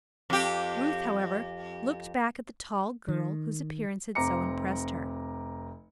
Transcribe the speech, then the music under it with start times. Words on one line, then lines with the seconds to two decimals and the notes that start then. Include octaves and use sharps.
Ruth, however, looked back at the tall girl whose appearance had so impressed her.
0.30 F2 G4
3.08 D#3
4.15 F1 C4 A#5 D6 C#7